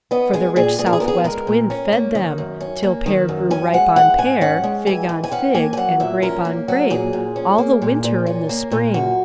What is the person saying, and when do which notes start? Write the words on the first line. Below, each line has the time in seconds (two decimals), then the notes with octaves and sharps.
For the rich southwest wind fed them, till pear grew ripe on pear, fig on fig, and grape on grape, all the winter and the spring.
0.11 B3 D#5
0.33 G#3 G#4
0.56 A#2 G#4
0.79 A#2 G#4
0.86 A#4
0.93 G#4
1.00 B3 A#4
1.08 G#4
1.24 G#3 A#4
1.47 A#2
1.70 C#4
1.93 A#3
2.15 D#3
2.38 F#2
2.61 C#4
2.83 A#3
3.06 D#3
3.29 F#2
3.50 C#4 G#5
3.73 G#3 F#5
3.96 E3 F#5
4.18 G#2 G#5
4.41 C#4 F#5
4.64 G#3
4.86 E3 G#5
5.09 G#2
5.24 G#5
5.32 C#4 F#5
5.55 A#3 G#5
5.73 G#5
5.77 F#3 F#5
6.00 A#2 E5
6.22 C#4 A#4
6.45 A#3
6.68 F#3 F#4
6.90 A#2 G#4
7.13 A#2
7.36 C#4
7.58 A#3
7.82 A#2
8.04 A#2
8.26 C#4
8.49 A#3
8.71 A#2
8.94 F#2 F#4